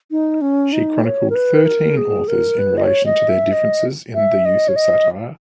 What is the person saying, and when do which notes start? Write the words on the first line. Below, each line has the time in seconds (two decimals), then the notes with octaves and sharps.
She chronicled thirteen authors in relation to their differences in the use of satire.
0.11 D#4
0.41 C#4
0.73 D#4
1.04 C#5
1.30 A#4
1.35 B4
1.66 A#4
1.97 G#4
2.28 A#4
2.59 B4
2.77 D#5
2.83 C#5
3.06 D#5
3.29 E5
3.52 D#5
4.15 E5
4.45 D#5
4.68 C#5
4.76 D#5